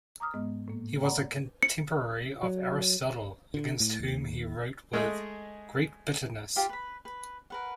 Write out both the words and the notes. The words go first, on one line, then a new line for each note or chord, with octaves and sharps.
He was a contemporary of Aristotle, against whom he wrote with great bitterness.
A#5 D6 D#6 F6
G#2 G#3 B3 D#5
A2 A#3
C#5 D5 F#5 A#5 B5
C#7
F#3
D3
A2
D#2
G#3 A3 G#4 D#5
F4 G4 F5
B4 B5
B4
A#4 B4 F#5